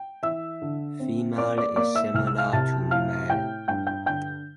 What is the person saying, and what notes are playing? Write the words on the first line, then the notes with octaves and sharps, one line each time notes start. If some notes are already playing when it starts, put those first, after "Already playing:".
Female is similar to male.
Already playing: G5
E3 E5 E6
D3
C4
A#3 D5 D6
D5 D6
A#3 D5 D6
E5 E6
C2 F6
E6
F5 F6
C3 A5 A6
A2 F5 F6
A2 G5 G6
G2 G5 G6
G5 G6
D3 G5 G6